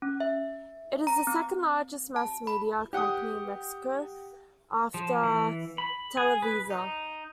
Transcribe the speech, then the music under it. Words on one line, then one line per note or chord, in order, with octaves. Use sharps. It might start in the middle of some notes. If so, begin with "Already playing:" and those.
It is the second-largest mass media company in Mexico after Televisa.
C#4
E5
A#5
C4
A5
B5
G4 F#5 G5 D#6
F3
E3
B5
G#4
B4
D#4